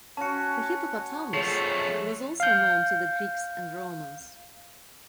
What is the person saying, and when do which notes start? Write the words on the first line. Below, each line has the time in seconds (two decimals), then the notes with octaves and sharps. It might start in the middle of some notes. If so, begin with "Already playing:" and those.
The hippopotamus was also known to the Greeks and Romans.
0.17 C#4 F#4 A5 C#7
1.34 F3 A3 G#4 C#5 C#6
2.40 F5 G6